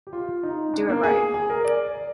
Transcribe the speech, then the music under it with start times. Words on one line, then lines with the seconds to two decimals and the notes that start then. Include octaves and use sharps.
Do it right.
0.07 G4
0.13 F4
0.43 D#4
0.74 D4
0.89 A#3
1.03 G#4
1.34 G#4
1.50 A#4
1.65 D5
1.95 D5